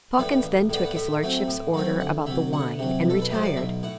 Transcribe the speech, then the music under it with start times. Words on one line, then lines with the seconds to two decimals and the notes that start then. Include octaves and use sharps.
Pawkins then took his lordship's orders about the wine and retired.
0.18 A2 G3 B3
0.44 A1
0.70 A2 G3 B3
0.85 F#5
0.96 A2 E5
1.23 F#3 A3 C4
1.48 A2
1.74 F#3 A3 C4
2.00 D2 F#5
2.26 C3 F#3 E5
2.53 D2 F#5
2.79 C3 F#3
3.05 B1 A4
3.22 B4
3.31 A2 F#3 C5
3.45 D5
3.56 B1 E5
3.83 A2 F#5